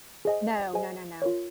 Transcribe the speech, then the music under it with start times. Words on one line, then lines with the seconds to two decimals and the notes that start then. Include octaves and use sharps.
No. No, no, no.
0.25 G#4 C5 D#5 G#5
0.74 G#4 C5 D#5 G#5
1.22 F4 A#4 C#5